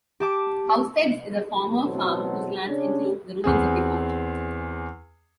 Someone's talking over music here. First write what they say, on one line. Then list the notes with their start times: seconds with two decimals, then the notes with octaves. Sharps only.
Housesteads is a former farm whose lands include the ruins of the fort.
0.20 G4 A5 D6
1.84 A1 B2 F#3 C4 A4
2.68 C#3 C#4 D4
3.44 E2 C4 G#4